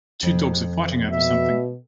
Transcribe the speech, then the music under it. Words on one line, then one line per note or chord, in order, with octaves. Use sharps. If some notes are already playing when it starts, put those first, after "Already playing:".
Two dogs are fighting over something.
F2
B2 E5